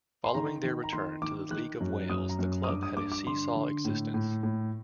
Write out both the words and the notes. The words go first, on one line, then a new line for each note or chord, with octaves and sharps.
Following their return to the League of Wales the club had a see-saw existence.
C6
D#3 A#5
D#3
A#5
D#3 C6
D#3 D6
D#3 F#6
F#2
F#2 D#6
A#5
F#2
D#6
G2 D6
D#6
G2 D6
D6
D3 C6
D3
A2
A2
A2